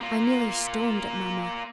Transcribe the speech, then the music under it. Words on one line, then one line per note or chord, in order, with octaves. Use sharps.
I nearly stormed at Mamma.
A#3 F4